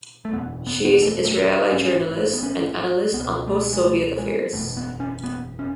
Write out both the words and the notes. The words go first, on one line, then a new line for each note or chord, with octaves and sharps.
She is an Israeli journalist and an analyst on post-Soviet affairs.
A3
F#1 E2 B2 B3
B3
B3
A3
A3
A1 G#2 C#4
B3
C#4
C#2 B2 B3
A3
G#3
A3
G#3
F#1 E2 B2 A3
B3
C#4
B3
C#4